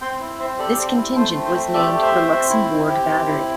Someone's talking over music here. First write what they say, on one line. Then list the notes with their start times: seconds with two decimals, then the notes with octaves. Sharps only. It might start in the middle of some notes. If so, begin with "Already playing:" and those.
This contingent was named the Luxembourg Battery.
0.01 C4 G5 C6
0.20 E4
0.39 C4 C5 E5
0.59 G4 A4 D5
0.78 C4
0.97 E4
1.16 A3 C5
1.35 C4
1.45 C5
1.54 A3
1.73 G4 A4 D5
1.93 A3
2.02 C5 E5
2.12 C4
2.32 C4
2.50 E4
2.69 C4
2.89 G4
3.07 C4
3.27 E4